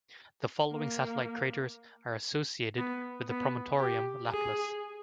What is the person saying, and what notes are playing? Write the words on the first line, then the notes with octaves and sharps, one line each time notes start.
The following satellite craters are associated with the Promontorium Laplace.
A#3
B3
B3
G4
G#4